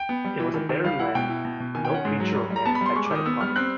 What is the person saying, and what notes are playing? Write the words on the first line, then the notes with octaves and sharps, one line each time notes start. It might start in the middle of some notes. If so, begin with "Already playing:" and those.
It was a barren land, no creature or man had tread upon it.
Already playing: G5
B3
G3
E3
D#3
D#3
G3 F5
E4 F#5
B2 G5
E4
B2
B2
D#3 G#5
G5
C#4 F#5
G#2
F#3
G3
G3
A#5
B3 A5
B5
G3 C6
G#3 C#6
D6
D#3 D#6
B3 E6
G3 F6
C4 F#6